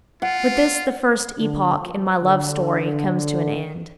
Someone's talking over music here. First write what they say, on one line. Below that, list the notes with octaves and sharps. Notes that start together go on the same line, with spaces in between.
With this the first epoch in my love story comes to an end.
F4 F#5
D3
F3
D3
D3